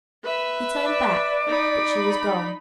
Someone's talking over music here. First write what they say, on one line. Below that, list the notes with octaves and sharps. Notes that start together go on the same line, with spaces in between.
He turned back, but she was gone.
B4 E5
D5
D#4 B5